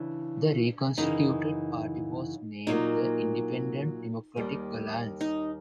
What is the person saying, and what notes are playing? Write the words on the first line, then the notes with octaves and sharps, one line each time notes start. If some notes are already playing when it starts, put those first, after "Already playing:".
The reconstituted party was named the Independent Democratic Alliance.
Already playing: C#3 E3 D4
F#2 C#3 E3 D#4
A#2 F#3 A#3 D#4
D#2 D#3 G3
D#4